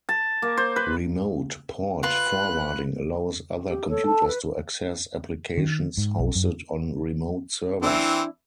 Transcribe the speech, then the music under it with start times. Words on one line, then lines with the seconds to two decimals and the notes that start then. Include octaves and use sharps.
Remote port forwarding allows other computers to access applications hosted on remote servers.
0.09 A5
0.42 A#3
0.57 C5
0.76 B4
2.03 F4 B4 F#6
3.68 G4
3.89 A4 C#5
4.06 A5
4.27 B4
5.57 D#3
5.97 G#2
6.19 B1
6.35 F#2
7.82 E3 C4 D4 E4